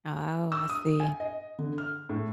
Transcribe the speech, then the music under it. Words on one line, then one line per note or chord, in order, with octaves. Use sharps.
Oh, I see.
E6
D#6
G#5
D#5
D3
F6
A2